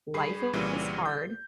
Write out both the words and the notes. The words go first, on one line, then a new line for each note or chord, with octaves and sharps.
life is hard,
G2 G#4 B5 C7
C2 A#2 C#3 E3 G3
G6